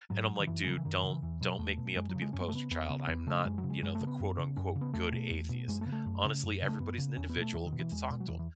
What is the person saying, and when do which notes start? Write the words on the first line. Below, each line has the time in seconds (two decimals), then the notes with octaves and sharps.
and I'm like, "Dude, don't don't make me up to be the poster child; I'm not, you know, the quote unquote 'good atheist.'" Honestly, everybody's an individual, get to talk to 'em.
0.10 G#2 F#3
0.40 D#3
0.47 F#2 E3
0.64 G#3
0.67 C#3 F#3
0.78 E3
0.85 F#2 D#3
0.98 E3
1.03 C#3
1.10 E3
1.22 E2 E3
1.41 B2 F#3
1.59 E2 A3
1.77 B2
1.96 F#2 G#3
2.09 F#3
2.15 C#3
2.22 G#3
2.33 F#2 C#4
2.41 B3
2.49 A3
2.52 C#3 B3
2.71 E2 B3
2.89 C#3 B3
3.07 E2 B3
3.27 C#3 A3
3.45 F#2 G#3
3.58 F#3
3.63 C#3
3.70 G#3
3.82 F#2 G#3
3.95 A3
4.00 C#3
4.07 B3
4.20 F#2
4.38 C#3
4.57 F#2 C#4
4.76 C#3
4.81 B3
4.94 E2 A3
5.12 B2
5.30 E2
5.49 B2
5.68 F#2 G#3
5.81 A3
5.86 C#3 B3
5.92 A3
6.06 F#2
6.24 C#3
6.43 F#2
6.62 C#3
6.69 A3
6.80 F#2 B3
6.98 C#3
7.16 E2 C#4
7.30 B3
7.36 B2
7.41 A3
7.53 E2 E3
7.67 D#3
7.72 B2
7.79 E3
7.92 E2 G#3
8.10 B2
8.20 F#3
8.28 E2 E3
8.39 E3